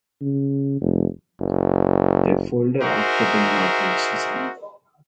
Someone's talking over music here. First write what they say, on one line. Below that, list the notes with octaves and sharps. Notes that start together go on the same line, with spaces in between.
They folded after the inaugural season.
C#3
F1
F#1
D#4 F#4 G#4 A#4 C5 E5